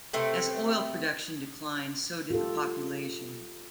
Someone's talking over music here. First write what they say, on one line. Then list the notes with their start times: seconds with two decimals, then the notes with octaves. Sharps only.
As oil production declined, so did the population.
0.13 C3 A3 B3 C4
2.30 F4 G4 A4